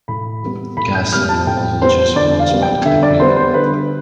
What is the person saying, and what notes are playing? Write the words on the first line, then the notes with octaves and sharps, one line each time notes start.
Gas and Nirmal villages were once part of the creek.
A2 B5
G3 B3
A2 B5
G6
G3 B3 F6
A5
A2 G5
G3 B3 C5
D3 D5
F5
G3 B3
G5
D3 E5
D5
G3 B3 C5
C5
D3 B4